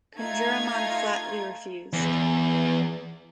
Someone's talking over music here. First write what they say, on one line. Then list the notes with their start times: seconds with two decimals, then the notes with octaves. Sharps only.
Kunjuraman flatly refused.
0.16 A3 D#4 F4 G#6
1.93 E2